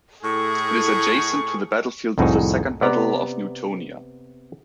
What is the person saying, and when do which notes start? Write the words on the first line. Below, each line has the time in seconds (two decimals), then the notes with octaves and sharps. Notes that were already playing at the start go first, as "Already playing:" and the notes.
It is adjacent to the battlefield of the Second Battle of Newtonia.
0.23 A2 G#4 C#6
2.18 C2 F2 A2 D#4 F#4 G#4
2.82 C3 B3 D5 A#5